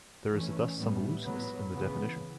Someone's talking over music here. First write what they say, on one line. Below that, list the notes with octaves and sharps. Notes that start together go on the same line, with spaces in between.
There is thus some looseness in the definition.
E3 A3 C#4
A2 G3 B3
A2 F#3 B3
C#3 E3 B3